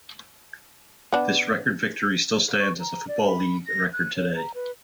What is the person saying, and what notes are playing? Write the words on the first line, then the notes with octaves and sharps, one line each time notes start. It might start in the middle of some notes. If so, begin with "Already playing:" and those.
This record victory still stands as a Football League record today.
B3 D4
C#6
A#5
D5
B5
A#6
F#6
C#5
A#5
B4